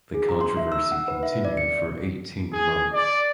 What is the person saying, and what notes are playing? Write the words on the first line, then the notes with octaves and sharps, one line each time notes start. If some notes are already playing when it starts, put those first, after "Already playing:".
The controversy continued for eighteen months.
G#4
A#5
C6
E5
E6
F#5
B4
E5
D5
C#7
G#4
D5